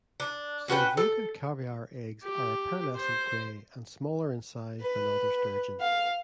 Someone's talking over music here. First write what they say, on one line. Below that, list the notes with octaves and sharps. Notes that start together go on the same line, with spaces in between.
Sevruga caviar eggs are a pearlescent grey, and smaller in size than other sturgeon.
D4
C#4 F#4 B4 G5
A4
G4
C5
B4
F5